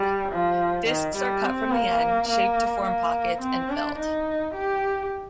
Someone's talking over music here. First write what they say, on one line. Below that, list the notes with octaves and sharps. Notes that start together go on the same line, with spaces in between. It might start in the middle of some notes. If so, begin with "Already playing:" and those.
Disks are cut from the end, shaped to form pockets, and filled.
Already playing: G3
F3
D#3
G3
C4
A#3
A#3
A#3
C4
D4
D#4
G4